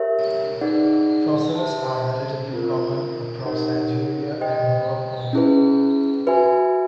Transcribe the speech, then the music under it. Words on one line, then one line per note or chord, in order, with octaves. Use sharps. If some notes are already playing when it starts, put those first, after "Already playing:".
Fossils are relatively common across Algeria and Morocco.
Already playing: G4 A#4 C#5 E5
D#4 G#4 B4 D5 F#5
G4 C5 E5 A5
C4 F4 A#4
D#4 G4 A#4 C#5 F#5
G4 C5 D#5 G5
C#4 E4 G#4 B4
F#4 B4 E5 G#5